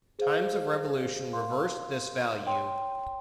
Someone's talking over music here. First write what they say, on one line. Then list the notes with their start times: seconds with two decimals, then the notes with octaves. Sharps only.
Times of revolution reversed this value.
0.19 G#4 C5 F5
1.33 A#4 F5 C6
2.47 C#5 G5 C6